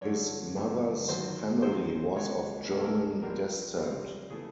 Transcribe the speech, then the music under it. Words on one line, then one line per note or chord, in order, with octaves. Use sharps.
His mother's family was of German descent.
G2 D3 F3 A3 C#5
G2 D3 F3 A3
G#1 F#2 D#3 F#3 C5
G#1 F#2 D#3 F#3 C5
C#2 B2 G#3 C#5
C#2 B2 G#3 A#4
A4
A#4
A#1 A#2 G3 A#3 A#4
A#1 A#2 G3 A#3
C#3 E3 A3 G#4